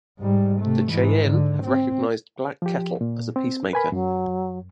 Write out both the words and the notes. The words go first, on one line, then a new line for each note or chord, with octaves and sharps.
The Cheyenne have recognized Black Kettle as a peacemaker.
G#2 G3
C3 A3
G#2 E3
D3
C4
F3 G4
A#2
C4
A#4 B4 G#5 B5
F#2 F#3